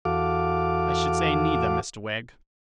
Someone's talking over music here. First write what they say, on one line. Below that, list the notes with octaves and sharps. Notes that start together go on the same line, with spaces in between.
'I should say neither, Mr Wegg.'
E2 F#4 A4 F5 D6